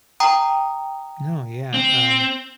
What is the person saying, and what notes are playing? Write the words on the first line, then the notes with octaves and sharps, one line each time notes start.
No, yeah, um,
G5 A#5 D#6
C4